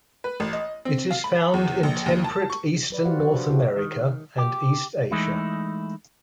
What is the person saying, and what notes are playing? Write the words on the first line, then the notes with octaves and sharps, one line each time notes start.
It is found in temperate eastern North America and East Asia.
B4
A1
D#5
C4
F5
B5
E2
A#1
D#2
A5
C#6
F#3 B4 D5
F#4 G4 C5 D5 F5 F#5
F3 D4 A4 B4
F#4 C5
E4 F#4 G4 A4
D#3
G4
E3 G#3 A3 D#4 E4